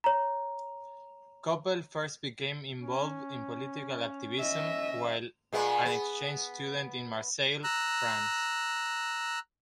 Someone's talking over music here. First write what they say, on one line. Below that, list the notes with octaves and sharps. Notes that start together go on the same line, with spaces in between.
Koppel first became involved in political activism while an exchange student in Marseille, France.
C#5 A#5
C#4
D#5 E5
A#2 G#3 B3
B3
A#5 E6 F#6